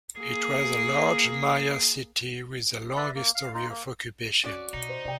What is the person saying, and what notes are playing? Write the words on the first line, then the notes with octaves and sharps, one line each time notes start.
It was a large Maya city with a long history of occupation.
A#3 G#4
B4 D5 E5
A#3
F5
D#4 F4
A#3
C#4 F#4 D5
B2 D#4
C5
C3 D5 G5